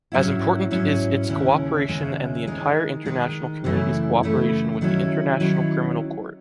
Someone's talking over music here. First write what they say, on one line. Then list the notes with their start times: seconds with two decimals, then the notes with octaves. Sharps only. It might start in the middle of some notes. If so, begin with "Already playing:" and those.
As important is its cooperation and the entire international community’s cooperation with the International Criminal Court.
0.12 G#2 F#3 C#4 E4
0.71 G#2 F#3 C#4 E4
1.29 D#2 C#3 G#3 C#4 E4
1.88 D#2 C#3 G#3 C#4 E4
2.47 D#3 G#3 D#4
3.05 D#3 G#3 D#4
3.64 F#2 C#3 E3 A3 E4
4.23 F#2 C#3 E3 A3 E4
4.81 D#3 F#3 C#4 E4
5.40 D#3 F#3 C#4 E4